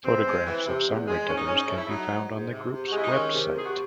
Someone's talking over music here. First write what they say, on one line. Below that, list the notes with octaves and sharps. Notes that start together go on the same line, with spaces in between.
Photographs of some regulars can be found on the group's web site.
E2 C4
G#3
E3
C3
E2
G#3
G#2 C#4
D#4
G#2 C#4
D#4
C#4
A3
E4
F#3 D#4
G#2
G#2
C3
C3
F#4
G#3 E4
D#4
D#3 C#4
C3
C3 G#4
F#4